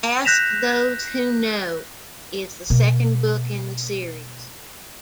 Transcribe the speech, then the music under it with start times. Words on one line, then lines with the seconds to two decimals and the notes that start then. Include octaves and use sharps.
"Ask Those Who Know" is the second book in the series.
0.25 F#6 G6 A#6 B6 E7 F7
2.70 B2 A#3